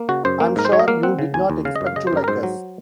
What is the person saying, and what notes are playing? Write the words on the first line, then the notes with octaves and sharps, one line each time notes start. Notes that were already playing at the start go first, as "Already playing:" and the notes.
I am sure you did not expect to like us..
Already playing: A#3
C#3 F#4
F#2 C5
A#3
G#2 A#4
C5
F#3 C#5
D#5
A#3 F5
C4 F#5
C#3
D#2 G#5
D#2
C#3 F5
D#5
F#2
F5
C#3 D#5
C5
F#2 A#4
A#4
G#2 C5
F#3